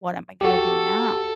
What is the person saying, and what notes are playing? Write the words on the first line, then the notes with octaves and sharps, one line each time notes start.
"What am I gonna do now?"
F#4 G4 A4